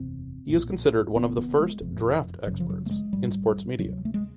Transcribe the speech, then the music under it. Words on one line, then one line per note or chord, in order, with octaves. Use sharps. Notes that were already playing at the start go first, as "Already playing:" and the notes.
He is considered one of the first "draft experts" in sports media.
Already playing: F#1 E2 C3 C4
B1 A#2
E1 E2 C#3 B3
B3
G#3
F#1 F2 C3
G1 F#2 C#3 F#3
F3
F#3
A3
G#3
A1 G#2 G3
D2 C3 F#3
A3
G#3